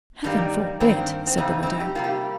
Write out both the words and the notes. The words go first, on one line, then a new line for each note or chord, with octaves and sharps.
"Heaven forbid!" said the widow.
G2 D#3 G3 A#3 D#4
G2 D#3 A#3 C4
C4
F2 C3 G3 D#4
C4
D#4
G4
C3 G3 A#3 F4
G4